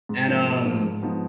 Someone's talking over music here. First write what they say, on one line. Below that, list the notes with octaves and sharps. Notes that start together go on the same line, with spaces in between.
And, um,
G#2
F3 A#3
G#2
F3 A#3
G#2
F3 B3 D#4